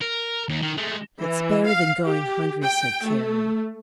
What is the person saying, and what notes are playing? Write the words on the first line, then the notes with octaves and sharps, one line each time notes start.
"It's better than going hungry," said Carrie.
A#4
D#2
D#3
G#3 A3
E3
F5
G4
G5
A3